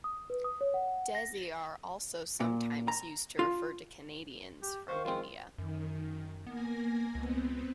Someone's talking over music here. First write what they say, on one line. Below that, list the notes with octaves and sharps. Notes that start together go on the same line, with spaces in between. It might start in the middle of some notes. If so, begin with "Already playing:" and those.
Desi are also sometimes used to refer to Canadians from India.
D#6
B4
D#6
C#5
F#5
A#6
A#2
A#5
F4
G4
D#3 C5 F5 C#6
F3 G#3 C4 F4
F#2 D#3
A#3 B3 G#5 A#6
C#2 B3 C4